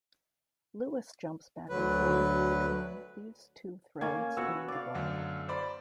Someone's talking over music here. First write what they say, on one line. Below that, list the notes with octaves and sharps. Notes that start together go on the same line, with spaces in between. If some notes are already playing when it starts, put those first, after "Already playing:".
Lewis jumps back and forth between these two threads in the book.
D2 D3 F#3 B4
A#3 C#4 G#6
B3 F#4 F#5 E6
D5 F5
F#2 D3 A3
C5 D5 B5